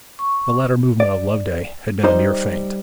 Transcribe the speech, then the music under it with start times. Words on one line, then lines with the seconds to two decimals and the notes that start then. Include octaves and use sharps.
The latter movement of Loveday had been a mere feint.
0.19 C#6
1.00 D5
2.03 G3 D#4 C5 D#5